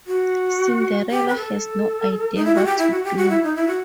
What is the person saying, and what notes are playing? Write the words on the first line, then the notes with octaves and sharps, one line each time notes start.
Cinderella has no idea what to do.
F#4
G4
B4
A4
D#4
E4
F#4
G4
E4
F#4
G4
F#4
E4
D#4
E4
F#4